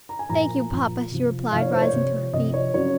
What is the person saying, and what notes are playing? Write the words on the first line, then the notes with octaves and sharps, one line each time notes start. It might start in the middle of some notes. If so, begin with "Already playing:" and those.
"Thank you, papa," she replied, rising to her feet.
A#5
G#5
A#2 F3 A#5
A#2 F3
C3 F3
C3 F3 F5
C#5
C5
C#5
C3 F3
C3 F3 D#5
C#5
C#3 F#3 C#5